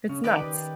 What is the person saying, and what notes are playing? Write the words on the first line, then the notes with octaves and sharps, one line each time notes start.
it's nuts.
C#3 C#4
D#3 D#4 G4 B4 D5 G5